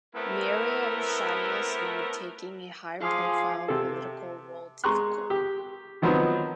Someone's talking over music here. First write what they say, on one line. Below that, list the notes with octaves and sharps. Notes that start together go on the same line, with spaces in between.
Muriel's shyness made taking a high-profile political role difficult.
A3 B3 C4 E4 A#4
F3 G#4 F5 G#5 C6 D6
C3 A4
G#3 A#5 C6 C#6 F#6
G4
D#3 F3 F#3 B3 C4 D#4